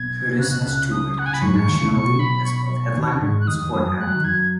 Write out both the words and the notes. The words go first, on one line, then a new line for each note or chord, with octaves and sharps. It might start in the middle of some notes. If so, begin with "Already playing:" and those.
Curtis has toured internationally as both headliner and support act.
Already playing: B1 B2 G#6
C#3 F#6
B2
C#2 C#3
D#6
F#5
G#5
B5
F#2 F#3 C#6
G#2 G#3
D#2 D#3
C#2 C#3
B1 B2 C#6
B5
C#6
B5
C#6
D#2 D#3
G#2 G#3
F#6
D#2 D#3 D#6
D#2 D#3
F#2 F#3
F#2 F#3
G#3 F#6
F#3
D#3
F#2 F#3 G#6